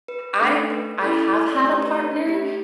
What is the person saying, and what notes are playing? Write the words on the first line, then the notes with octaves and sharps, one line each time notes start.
I I have had a partner,
B4
A3 D4 A4
B4
C#4 E4 A4
C#5
D5
A3 C#4 G4 C#5
B4
C#5
A3 C#4 G4